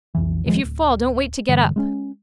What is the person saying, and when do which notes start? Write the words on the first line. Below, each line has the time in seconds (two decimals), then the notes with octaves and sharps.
If you fall don't wait to get up.
0.15 B1 F2 E3
0.45 D#1 D#3 F3 G#3
0.64 D1
1.49 G2 A#2 D3 E3
1.76 G#3 B3 C#4